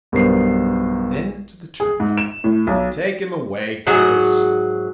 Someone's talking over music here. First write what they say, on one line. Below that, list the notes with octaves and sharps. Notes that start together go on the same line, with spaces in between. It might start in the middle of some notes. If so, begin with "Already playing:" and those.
Then to the turnkey: "Take him away, Curtis."
B1 G2 B3 A#4 C5 C7
G#4
G#2
E7
A2
B1
G#2 F#3 F#4 G#4